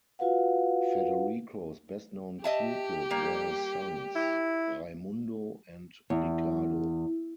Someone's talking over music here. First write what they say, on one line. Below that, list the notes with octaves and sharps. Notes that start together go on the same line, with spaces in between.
Federico's best-known pupils were his sons, Raimundo and Ricardo.
F4 F#4 B4 F5 F#5
G4 D#5 E5 A5
G3 A#3
E4
E2